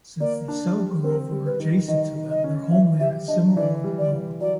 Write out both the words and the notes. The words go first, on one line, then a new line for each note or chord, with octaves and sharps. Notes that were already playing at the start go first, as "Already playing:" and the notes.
Since the Selgovae were adjacent to them, their homeland is similarly known.
A#3 D5
D4
G3
C4 A#4
G3
B4
D#3
D#3 D#5
D#3
D#5
C#4
E3 E5
G4 E5
D4 D#5
E3 D5
G3
D5
E3
F#3 D5